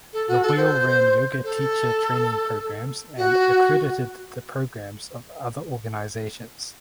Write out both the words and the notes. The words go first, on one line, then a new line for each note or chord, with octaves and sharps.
The Wheel ran yoga teacher training programmes and accredited the programmes of other organisations.
A4
F#4
A4
C5
A4
F#4